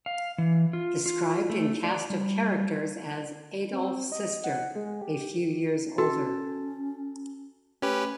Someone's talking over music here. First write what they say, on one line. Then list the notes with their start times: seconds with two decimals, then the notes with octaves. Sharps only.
Described in cast of characters as 'Adolf's sister, a few years older.
0.06 F5
0.38 E3
0.73 F4
1.06 F4
1.50 A3
1.84 D5
2.10 G3
3.73 C4
4.12 D#5
4.44 F#5
4.75 G#3
5.01 G4
5.98 C#4 F#4 A4
7.82 A3 C#4 G4 B4